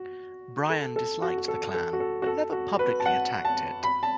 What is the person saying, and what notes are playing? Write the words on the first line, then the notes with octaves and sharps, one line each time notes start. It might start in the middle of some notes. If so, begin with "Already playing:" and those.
Bryan disliked the Klan but never publicly attacked it.
Already playing: F#4
A4
A4
F#4
F#4
A4
A4
F#4
A4
F#4
A4
F#4
B4
A5
F#5
A5
B5
A5